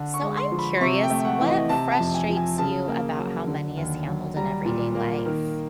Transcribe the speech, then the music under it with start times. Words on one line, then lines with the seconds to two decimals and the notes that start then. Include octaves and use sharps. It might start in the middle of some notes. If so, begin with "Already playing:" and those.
So I'm curious, what frustrates you about how money is handled in everyday life?
Already playing: D3
0.14 C#6
0.21 G#3
0.37 C6
0.52 F3
0.58 B5
0.77 C6
0.81 C3 C#6
1.03 G5
1.10 A3
1.25 F#5
1.41 E3
1.47 D#5
1.69 C3 A5
1.92 A5
1.99 F2
2.15 G#5
2.29 F3
2.37 G#5
2.58 C#3 A5
2.88 A#3
3.18 F#3
3.47 D3
3.77 D#2
4.07 F#3
4.36 G3 A#5
4.65 A#2
4.95 A#3
5.26 D#3